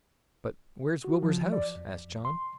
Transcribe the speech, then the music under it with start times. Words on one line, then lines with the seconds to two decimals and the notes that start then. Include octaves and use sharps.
"But where's Wilbur's house?" asked John.
1.04 F#4
1.23 F3
1.52 D5
1.75 F2
2.25 C6